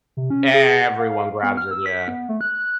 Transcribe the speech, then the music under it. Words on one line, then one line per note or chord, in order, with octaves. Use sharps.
Everyone grabs it, yeah.
C3
C#4
G#4
F#5
F5
B3
F6
E6
B6
B3
A3
F#6